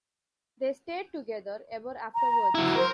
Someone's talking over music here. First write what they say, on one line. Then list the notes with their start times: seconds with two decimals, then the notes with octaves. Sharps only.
They stayed together ever afterwards.
2.14 A#5
2.55 F#3 E4
2.76 A#4 C5